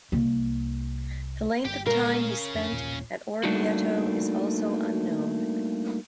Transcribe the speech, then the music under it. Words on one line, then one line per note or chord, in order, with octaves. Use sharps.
The length of time he spent at Orvieto is also unknown.
C2 A#3
G1 G4 G5
A#2 G#3 C#4 A#4 F5
F2 D4
A1 D#2 A#2
G3 A3 A#3 D4 D#4 F#4